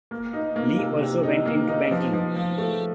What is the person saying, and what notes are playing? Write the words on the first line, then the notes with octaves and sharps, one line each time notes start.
Lee also went into banking.
A#3
D#4
A#3
C3
C3
D#4
A#3
D#4
F3
F3
F3
A3